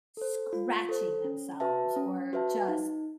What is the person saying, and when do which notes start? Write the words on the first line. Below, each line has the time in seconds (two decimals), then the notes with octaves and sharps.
scratching themselves or just,
0.17 A4 C5
0.53 F4
0.89 A4 C5
1.24 C#4
1.60 F#4 B4 E5 A5
1.96 C#4
2.33 F#4 B4 E5 A5
2.68 D#4